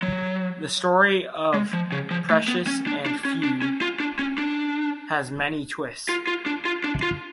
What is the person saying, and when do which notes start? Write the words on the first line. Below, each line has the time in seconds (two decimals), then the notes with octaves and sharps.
The story of "Precious and Few" has many twists.
0.03 F#3
1.54 G#3
1.73 F3
1.92 C#3
2.11 F3
2.30 A3
2.48 B3
2.67 C#4
2.87 D4
3.06 D4
3.25 C#4
3.43 D4
3.62 C#4
3.81 F4
4.00 D4
4.19 C#4
4.38 D4
6.09 F4
6.27 F4
6.46 D4
6.65 F4
6.84 D4
7.03 F4